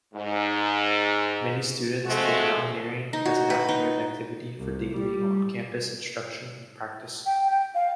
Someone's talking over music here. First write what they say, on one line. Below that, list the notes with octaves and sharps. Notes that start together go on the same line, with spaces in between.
Many students take mountaineering as an afternoon activity for daily on-campus instruction and practice.
G#2
F3 G#3 A3 C4 F#4
D#4
F#4
B4
D#4
C2
G3
G5
G5
F5